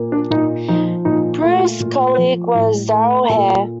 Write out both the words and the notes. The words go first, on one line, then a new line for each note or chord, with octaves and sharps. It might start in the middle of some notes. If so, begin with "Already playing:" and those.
Prue's colleague was Darrell Hair.
Already playing: A#2 A#3
D4
A#2 D#4
F3 D#4
A#2 D#4
A3 F4
A#2
F3
A2
A3
A#2 A4